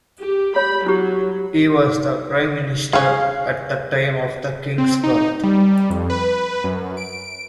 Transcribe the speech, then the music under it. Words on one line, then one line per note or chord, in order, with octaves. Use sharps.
He was Prime Minister at the time of the King's birth.
G4
C#5 B5
F#3 E4 G4
C#4 G#4 F5
C4
D#4
G3
F2
B4
F#2
D7